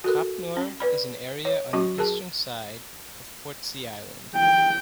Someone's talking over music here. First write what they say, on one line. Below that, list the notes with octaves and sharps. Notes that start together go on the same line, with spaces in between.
Copnor is an area on the eastern side of Portsea Island.
F#4 A4 A#4
C#4
B4 D5 B5
C#5
F#3 C#4 F#4 C#6
G#4 A#4 A5
G5